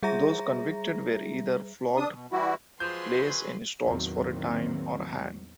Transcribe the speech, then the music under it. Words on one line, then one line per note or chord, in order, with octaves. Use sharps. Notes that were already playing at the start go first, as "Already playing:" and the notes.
Those convicted were either flogged, placed in stocks for a time, or hanged.
G3 G#4 E5 A#5 A#6
D4 D#6
B2
E3 G3 E4 F#4
F3 F#3 G#3 B4 C6 G6
E2 A2 D#3 F#3 A#3 C4